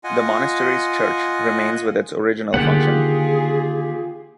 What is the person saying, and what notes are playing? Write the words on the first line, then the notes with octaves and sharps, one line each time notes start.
The monastery's church remains with its original function.
F4 D#5 F#5 G#5
D3 D#3 A#3 F4 G4 G#4 F#5